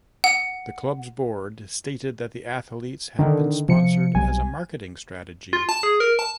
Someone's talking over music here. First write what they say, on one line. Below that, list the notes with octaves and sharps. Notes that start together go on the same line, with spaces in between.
The club's board stated that the athletes had been sponsored as a marketing strategy.
F#5
D3 D#3 D4
C3 F3 C#7
B1 G3 G#5
F4
A5
G#4
A#4
A5